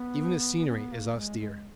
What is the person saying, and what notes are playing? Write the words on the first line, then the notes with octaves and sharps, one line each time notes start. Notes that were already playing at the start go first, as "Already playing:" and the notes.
Even the scenery is austere.
Already playing: B3
C#4
B3
A#3
G#3
G#3